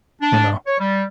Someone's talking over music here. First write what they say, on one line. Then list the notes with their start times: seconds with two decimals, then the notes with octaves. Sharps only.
you know,
0.22 D4
0.66 C#5
0.79 G3